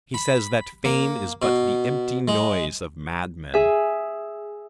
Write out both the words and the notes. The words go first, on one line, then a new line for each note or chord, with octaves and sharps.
He says that Fame is but the empty noise of madmen.
B5
A#3
B2
G#3
G#4 E5